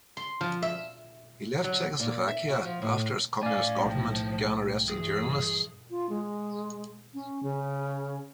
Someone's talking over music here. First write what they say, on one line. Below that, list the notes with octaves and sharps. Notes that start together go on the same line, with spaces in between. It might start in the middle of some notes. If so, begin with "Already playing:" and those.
He left Czechoslovakia after its Communist government began arresting journalists.
C6
F3
E5
F#3
A#2
E5
F#4
F3
A2
A2 C#4 D5 F5 G#5
B1 F3 F#3 G5
G2 E3 G#4
F4
G#3
C#4
C#3